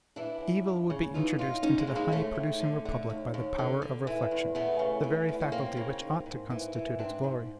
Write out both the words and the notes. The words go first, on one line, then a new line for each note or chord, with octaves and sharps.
Evil would be introduced into the honey-producing republic by the power of reflection,--the very faculty which ought to constitute its glory.
E3 D4 E4
F#2
F#2
C#3
E3 D#4 F4
F#2 D#4 F4
F#2 C#4 D#4
G#3 A#3
C#3
G#3 A#3
D#2 A3
D#2
D3
D3
D#2
D#2
D3
D3
E3
E2
E2 A3 B3
C#3
E3
E2
C#4
E2 A#3 C4
C#3
G#2
G#2
E3
E3
G#2 C4 D4
G#2